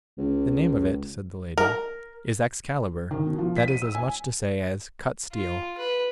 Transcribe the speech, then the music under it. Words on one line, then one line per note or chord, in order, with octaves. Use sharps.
The name of it, said the lady, is Excalibur, that is as much to say as Cut-steel.
C#2
A#4
D#3
B2
F3
B6
D#7
E6
G#5
F4
B4